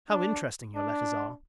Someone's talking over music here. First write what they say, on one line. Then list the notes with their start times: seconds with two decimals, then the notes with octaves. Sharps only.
How interesting your letters are!
0.10 D4
0.76 D4